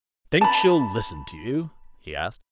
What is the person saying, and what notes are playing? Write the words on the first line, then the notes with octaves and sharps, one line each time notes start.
"Think she'll listen to you?" he asked.
A5 B5